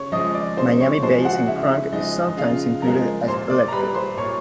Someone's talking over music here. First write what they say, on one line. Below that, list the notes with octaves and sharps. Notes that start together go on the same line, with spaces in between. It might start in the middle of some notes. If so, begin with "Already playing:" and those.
Miami bass and crunk is sometimes included as "electro".
Already playing: C#3 C#5 C#6
F3 G#3 D#5 D#6
D5 D6
C#3 C5 C6
C#5 C#6
F3 G#3 C5 C6
F#4 F#5
C#3 E4 E5
F3 G#3 D#4 D#5
C#3 F4 F5
F3 G#3 A#4 A#5
A#2 C5 C6
D5 D6
A#5
G3 B4 B5
C5 C6
A#2 C#5 C#6